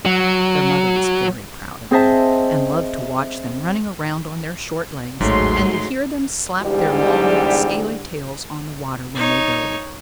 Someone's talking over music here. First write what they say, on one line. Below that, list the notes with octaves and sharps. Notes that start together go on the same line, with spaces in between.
Their mother was very proud of them, and loved to watch them running around on their short legs, and to hear them slap their long, scaly tails on the water when they dove.
F#3
C4 G#4 C5 D#5 E5 A5
A1 D#2 G#2 F#3 A3 G#4 C6
E2 G#2 D3 G3 G4
D#4 C#5